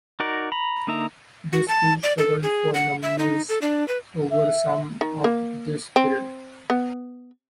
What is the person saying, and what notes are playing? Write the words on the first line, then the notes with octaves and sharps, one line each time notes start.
The school struggled for numbers over some of this period.
D#4 F#4 A#4 D5
A#5 B5
D3 A#3 D#4 E5 A#5
F#4
A5
D5
A4
G#4
F#5
E5
D#4
A4
D4
B4
E5
D#3
A#3
C4
B3